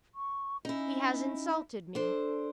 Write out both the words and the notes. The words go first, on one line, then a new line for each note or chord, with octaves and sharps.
He has insulted me.
C#6
C#4 D#4 E4
D4 A4 C5